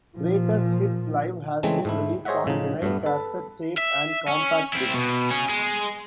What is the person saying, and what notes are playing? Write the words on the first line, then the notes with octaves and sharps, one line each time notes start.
"Greatest Hits Live" has been released on Vinyl, Cassette tape, and Compact disc.
A#2 F3
C#3 E3 G#3 A3 C4
G#2 A3 E4
G#4 C5 C#5 D#5 E5 F#5
A2 C#3 F3 D#4
G2 A3 B3
A4 B4
E5
C#4
C4 E4
B2
C#4 G#4
G#3